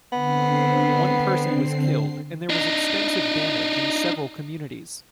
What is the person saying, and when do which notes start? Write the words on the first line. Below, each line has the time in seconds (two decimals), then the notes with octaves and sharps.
One person was killed and there was extensive damage in several communities.
0.12 D3 B3 C4 C7
2.49 D4 D#4